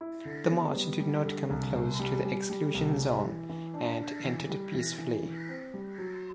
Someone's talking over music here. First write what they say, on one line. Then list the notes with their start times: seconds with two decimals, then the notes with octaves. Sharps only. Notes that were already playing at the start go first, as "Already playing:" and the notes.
The march did not come close to the exclusion zone and ended peacefully.
0.01 E4
0.25 D3
0.51 B3
0.76 G3
1.00 G3
1.25 D3
1.50 C2
1.75 C2
1.99 G3
2.25 G3
2.50 G3
2.75 C2
2.99 G3
3.24 E3
3.49 E3
3.74 D4
3.99 D4
4.24 E3
4.49 G3
4.74 E3
4.98 E3
5.24 E3
5.49 C4
5.74 G3
5.98 F#3